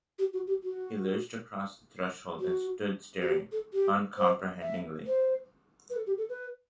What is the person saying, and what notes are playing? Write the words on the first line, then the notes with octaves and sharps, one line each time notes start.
He lurched across the threshold and stood staring uncomprehendingly.
G4
F#4
G4
F#4
F#4
F#4
G4
A4
G4
C5
E5
C5
B4
A4
G4
A4
B4